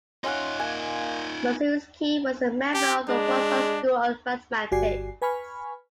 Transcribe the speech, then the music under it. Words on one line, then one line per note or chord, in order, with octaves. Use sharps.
Marczewski was a member of the Warsaw School of Mathematics.
C#4 D#4 F4 F#5 G#5 C6
A#3 G#5
G4
G#3 D4
G1 F#4 G4 D5 G#5 C7
B4 G#5 B5 C#6 F6